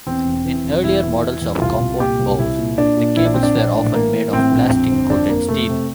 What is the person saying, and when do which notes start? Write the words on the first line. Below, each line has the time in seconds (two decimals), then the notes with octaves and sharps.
In earlier models of compound bows, the cables were often made of plastic-coated steel.
0.07 E2 C4
0.25 E1
0.45 E3
0.64 E1
0.84 E1 E4
1.04 E2
1.23 E3
1.41 E2
1.62 C2 F4
1.81 C2
2.00 A#2 G4
2.19 C2
2.39 C2 E4
2.58 A#2
2.78 A#2 D4
2.97 A#2
3.17 A#1 E4
3.25 D4
3.34 A#1 C4
3.43 D4
3.55 A#1
3.75 A2
3.94 E3 A#3
4.13 E3
4.33 A2 C4
4.52 A#1
4.71 F2
4.91 G1
5.10 F2 D4
5.29 F2 A#3
5.48 C3 A3
5.69 C3